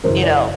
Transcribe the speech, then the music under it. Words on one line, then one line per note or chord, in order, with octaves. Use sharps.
You know?
F#2 C#3 E3 A#4 C5
C5 D5